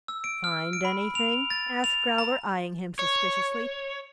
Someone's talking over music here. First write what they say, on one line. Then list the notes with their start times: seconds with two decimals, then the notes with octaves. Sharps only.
"Find anything?" asked Growler, eying him suspiciously.
0.08 E6
0.24 D7
0.44 F6
0.73 D7
0.85 B5
1.15 F7
1.50 A6
1.84 F7
2.18 A#5
2.99 C#5